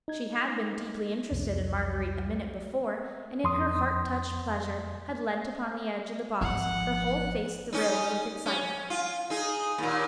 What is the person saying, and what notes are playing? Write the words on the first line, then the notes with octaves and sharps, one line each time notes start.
She had been deeply interested in Marguerite a minute before, and, in her heart-touched pleasure, had leant upon the edge of the box, her whole face thrilled with excitement.
D#4 G#6
C2 F2
F2 C6 D#6
G#1 F3 F#5
C#4 D#4
C#4
F4
D#4 G#4
D#2 A#2